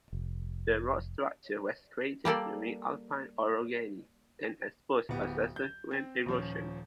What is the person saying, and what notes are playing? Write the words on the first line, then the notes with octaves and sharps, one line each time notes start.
The rock structure was created during the Alpine orogeny and exposed by subsequent erosion.
F1
G3 A#3 A4 D5
D1 B3 G4
G6
C4
D#1 F3 C#4